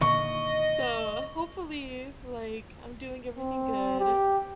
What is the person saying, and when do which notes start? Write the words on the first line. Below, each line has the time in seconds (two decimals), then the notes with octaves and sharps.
so, hopefully, like, I'm doing everything good.
0.01 A#2 D3 D#3 D#5 C#6
3.38 C4
3.99 G4